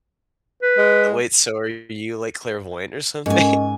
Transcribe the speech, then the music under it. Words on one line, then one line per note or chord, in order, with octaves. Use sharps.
Wait, so are you, like, clairvoyant or something?
B4
G#3
G#2 C#4 A#4 D#5 G#5